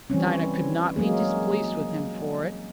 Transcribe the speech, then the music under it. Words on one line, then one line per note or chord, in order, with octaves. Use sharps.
Dinah could not be displeased with him for it.
E3 G3 C4 C#4
F#3 G#3 A#3 G#4